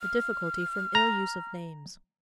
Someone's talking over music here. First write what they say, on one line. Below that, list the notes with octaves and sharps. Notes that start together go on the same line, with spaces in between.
The Difficulty from ill Use of Names.
F6
A#5